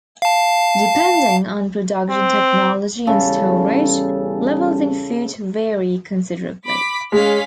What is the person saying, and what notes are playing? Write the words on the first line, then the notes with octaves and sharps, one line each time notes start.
Depending on production-technology and storage, levels in food vary considerably.
F5 A5
C4
E2 C#3 G3 C#4 A4
B5 D6 B6
G#3 C#4 F5 B6